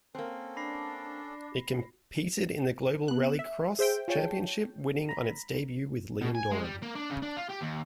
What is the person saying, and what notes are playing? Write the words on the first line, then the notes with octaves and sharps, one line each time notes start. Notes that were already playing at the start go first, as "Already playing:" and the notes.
It competed in the Global Rallycross Championship winning on its debut with Liam Doran.
A#3 C4 C#4 A4
D4 B5 A#6 C7
B3 F#6
E5
G#4 C5 E5 G5
F4 G#4 C#5 G5 A5
A#5 B5
B2
G#5
G#3
G3
A#3
D4
C#3
D4
F4
G4
D#2